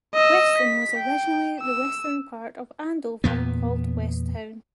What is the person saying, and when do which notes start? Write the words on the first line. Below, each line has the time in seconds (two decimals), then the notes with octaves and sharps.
Weston was originally the western part of Andover called West Town.
0.15 D#5 E6
0.58 B6
0.97 G5
1.61 E6
3.24 E2 A#2 B3